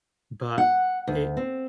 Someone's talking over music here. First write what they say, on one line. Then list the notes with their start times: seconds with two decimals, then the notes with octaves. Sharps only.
But it
0.58 F#5
1.07 D2
1.37 C4